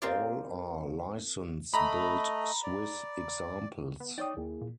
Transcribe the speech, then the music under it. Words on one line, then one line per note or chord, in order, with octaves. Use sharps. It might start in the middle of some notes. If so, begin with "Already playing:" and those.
All are licence-built Swiss examples.
A#3 C4 F4 G4 G#4 D5
A3 D#5 A#5 B5
D5
B3
D#4 C#5 D5 G5 D#6
D#2 A#3 E4 G#4
A#2